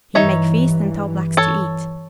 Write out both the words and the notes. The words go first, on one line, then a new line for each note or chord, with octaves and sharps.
He make feast and tell Blacks to eat.
G2 E3 D#4 C#5 E5
A4 C#5